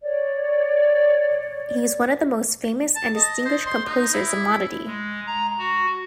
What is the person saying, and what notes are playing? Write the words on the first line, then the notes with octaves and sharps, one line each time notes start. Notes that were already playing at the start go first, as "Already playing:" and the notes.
He was one of the most famous and distinguished composers of monody.
C#5 D5
A5
D#5
C5
C6
D#4
E4
G#3
A#5
F#4